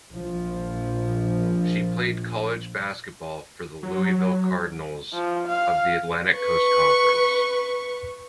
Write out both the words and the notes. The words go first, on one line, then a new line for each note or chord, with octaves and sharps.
She played college basketball for the Louisville Cardinals of the Atlantic Coast Conference.
A#1 F3
F#3
F3
F5
B4 C#6